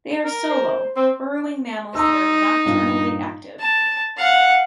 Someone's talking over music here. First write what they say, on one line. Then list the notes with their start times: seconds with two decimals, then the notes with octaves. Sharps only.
They are solo, burrowing mammals that are nocturnally active.
0.25 A#4
0.50 C5
0.96 C4 C5
1.95 D#4 A#5 C6 E6
2.65 G2 A#2
3.59 A5
4.17 F5 F#5